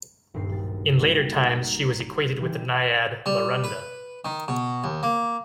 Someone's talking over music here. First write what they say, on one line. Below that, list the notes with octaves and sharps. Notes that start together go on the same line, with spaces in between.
In later times, she was equated with the naiad Larunda.
D#1 G2 C4 C7
B1 A6
G3 A#3 F#4
A#5
E3 D#4 G4 C6
G3
B4
D#3
B2
D#2
A#3